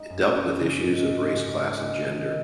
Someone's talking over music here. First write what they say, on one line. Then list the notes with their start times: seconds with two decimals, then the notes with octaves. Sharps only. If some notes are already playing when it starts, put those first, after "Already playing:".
It dealt with issues of race, class, and gender.
Already playing: G#3 D#4
0.10 F#2
0.34 A#3
0.59 C#3
0.83 G#2
1.09 G#2
1.33 G#2
1.58 G#3
1.83 A#3
2.08 D#3